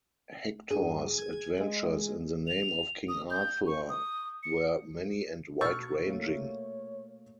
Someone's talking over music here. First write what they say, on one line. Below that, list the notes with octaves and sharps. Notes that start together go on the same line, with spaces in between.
Hector's adventures in the name of King Arthur were many and wide-ranging.
G2 G#4
G#6
G#3
F7
D#6
G6
C#6
D#6
C#7
B2 C#6 E6 F6 G6 A6
A3 A#3 C#5